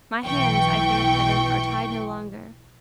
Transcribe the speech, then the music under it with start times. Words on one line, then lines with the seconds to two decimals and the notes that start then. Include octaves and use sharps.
My hands, I thank Heaven, are tied no longer.
0.25 B1 E3 G5 C#6